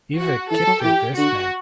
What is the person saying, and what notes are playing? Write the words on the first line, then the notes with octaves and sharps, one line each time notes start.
Eva kept her birth name.
F#4
E3 A4
F#3
E3 G4
D3 F#4